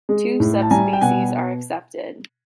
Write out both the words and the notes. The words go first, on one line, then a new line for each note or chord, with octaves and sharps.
Two subspecies are accepted.
G#3
A2
A5
G3 G#5 A#5
G5
B2 F#5 G#5